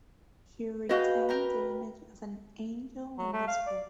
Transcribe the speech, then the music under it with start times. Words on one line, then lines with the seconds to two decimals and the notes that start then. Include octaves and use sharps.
She retained the image of an angel in this work.
0.89 F#4 G#4 B4 D#5 F5 G5
1.29 A#4 G5 A#5
3.18 F#3
3.33 A3
3.48 F5
3.67 D5